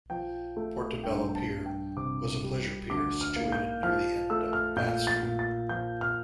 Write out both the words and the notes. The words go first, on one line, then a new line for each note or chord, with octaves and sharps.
Portobello Pier was a pleasure pier situated near the end of Bath Street.
F3 G5
A3
G2 G5
A5
G2
G5
C3 D6
G3
D2 D6
F6
A#3
G6
F3 F6
A3 E6
F6
A#2 G6
A6
A#2
A6
F3 G6
F6